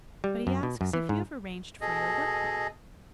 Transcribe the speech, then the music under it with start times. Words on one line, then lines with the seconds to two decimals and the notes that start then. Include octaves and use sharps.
But he asks if you have arranged for your workmen.
0.24 G3
0.47 F#2
0.63 B2
0.81 F#2
0.93 E3
1.09 G#2
1.81 B2 G#4 A4 D#5